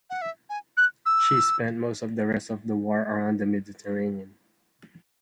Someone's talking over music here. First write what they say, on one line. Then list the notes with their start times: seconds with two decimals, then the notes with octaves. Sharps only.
She spent most of the rest of the war around the Mediterranean.
0.10 F#5
0.22 E5
0.50 G#5
0.77 F#6
1.06 E6